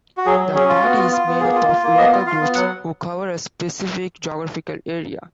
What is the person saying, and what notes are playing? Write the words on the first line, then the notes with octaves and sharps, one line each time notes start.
The party is made up of 'local groups', who cover a specific geographical area.
F#4
F#3 G#4
F#3
C#4 G#4
F4
B3 F#4
F4
F4
B3
A#3 G#4
F4
F4
A#3
B3 D#5
F4
F4 F5
B3
F#3 F#5